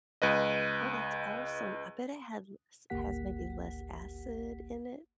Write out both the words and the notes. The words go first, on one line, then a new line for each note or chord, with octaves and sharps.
Oh, that's awesome. I bet it has less has maybe less acid in it.
C#2 B4 D#5
G#1 D2 A#3 G4 F#5 B6